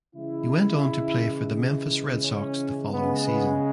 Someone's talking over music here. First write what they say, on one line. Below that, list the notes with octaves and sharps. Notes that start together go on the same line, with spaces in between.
He went on to play for the Memphis Red Sox the following season.
C#3 E3 G#3 E4
C#4
C#3 G#3 B3
B3